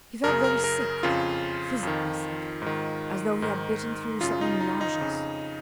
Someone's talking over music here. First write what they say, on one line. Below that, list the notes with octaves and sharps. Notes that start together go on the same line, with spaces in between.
He felt very sick--physically sick--as though he had bitten through something nauseous.
F#2 C#3 A#4
A#4
A#4
F2 C#3 F4
F2 D#3
G#2 D#3
G#2 D#3
F#2 C#3 F4
D#4
D#4
D#4
F2 C#3